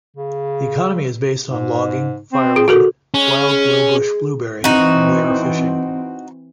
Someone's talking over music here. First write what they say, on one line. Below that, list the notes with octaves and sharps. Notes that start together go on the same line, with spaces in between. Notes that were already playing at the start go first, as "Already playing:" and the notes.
The economy is based on logging, firewood, wild lowbush blueberry and weir fishing.
C#3
G#2
C4
G#4
D3 F#4 A4 A#4
G#3 C#4
E3 C4 D#4 F#4